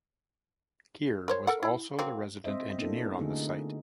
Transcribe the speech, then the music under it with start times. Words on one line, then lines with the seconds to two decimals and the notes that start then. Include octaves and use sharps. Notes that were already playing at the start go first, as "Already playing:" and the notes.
Keir was also the resident engineer on the site.
1.28 A#4 C5 C#5
1.47 A4 A#4 F#5
1.63 E4
1.99 F#3 A#3 C4
2.44 C4 C5 D#5 E5
2.78 A#3 B3 D4 E4 A4
3.18 D3 A3 D#4 F#4 G#4